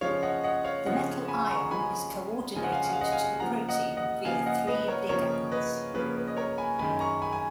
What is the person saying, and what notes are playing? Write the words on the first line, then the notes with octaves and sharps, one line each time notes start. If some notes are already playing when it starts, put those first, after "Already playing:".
The metal ion is coordinated to the protein via three ligands.
C#3 F3 G#3 C#4 C#5 F5
D#5 F#5
D#5 F#5
C#5 F5
C#3 F3 G#3 C#4 D#5 F#5
G#5 B5
A#5 C#6
C#3 F3 G#3 C#4 G#5 B5
C#3 F3 G#3 C#4 G#5
F#5
F5 G#5
F#5
F5
D#5 F#5
F5 G#5
C#3 F3 A#3 F#5 A#5
D#5 F#5
D#5 F#5
C#3 F3 A#3 F5 G#5
D#5 F#5
B4 D#5
A#4 C#5
C#3 F3 A#3 A#4 C#5
B4 D#5
C#3 F3 A#3 B4
B4
D#5
A#4 C#5
G#5 B5
F#2 D#3 G#3 C#4 G#5 B5
A#5 C#6
G#5 B5
G#5